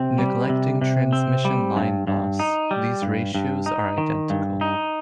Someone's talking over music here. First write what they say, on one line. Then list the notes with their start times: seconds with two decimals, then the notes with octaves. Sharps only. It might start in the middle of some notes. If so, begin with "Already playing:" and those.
Neglecting transmission line loss, these ratios are identical.
Already playing: C3 C4
0.18 G3
0.49 C3
0.81 C3
1.13 C4
1.45 G3
1.77 G2
2.07 G2
2.39 D#4
2.71 G3
3.02 G2
3.35 G2
3.66 D#4
3.98 D#3
4.30 G2
4.61 D#4